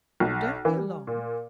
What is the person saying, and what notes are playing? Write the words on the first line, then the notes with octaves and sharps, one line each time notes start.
Don't be alarmed.
B1
E3
G3
A#2